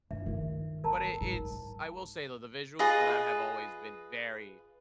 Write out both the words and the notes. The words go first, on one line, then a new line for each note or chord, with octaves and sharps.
But it it's I will say though, the visuals for that have always been very,
G2 E5
D#3 F4
G1 A#4 A5 A#5
G#2 F#3
F4 G#4 B4 D#5